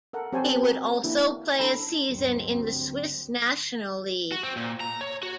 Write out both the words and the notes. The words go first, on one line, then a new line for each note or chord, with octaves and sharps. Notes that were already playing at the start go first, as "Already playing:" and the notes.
He would also play a season in the Swiss National League.
A4 A#4 F#5
C4 G4 C5 C#5 G#5 A5
F#4 A#4
A#3 D4 E4 G4
C#4 D4 A4 A#5 B5
D2 G2 D3 F#3 C4
F#4
C4
A#2
A#5
C#5
F#4